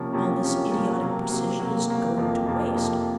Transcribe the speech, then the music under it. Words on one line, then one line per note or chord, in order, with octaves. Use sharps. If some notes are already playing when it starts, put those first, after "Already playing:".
All this idiotic precision is going to waste.
Already playing: C3 F3 A#3 C#4
C3 F3 A#3 C#4
C3 F3 A#3 C#4
C3 F3 A#3 C#4
C3 F#3 A#3
C3 F#3 A#3
C3 F#3 A#3
C3 F#3 A#3
F2 C3 F3 A#3
F2 C3 F3 A#3
F2 C3 F3 A#3